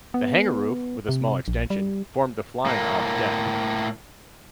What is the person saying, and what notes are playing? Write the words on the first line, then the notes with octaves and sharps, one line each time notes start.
The hangar roof, with a small extension, formed the flying-off deck.
B3
C3
A#1
G3
A2 A#3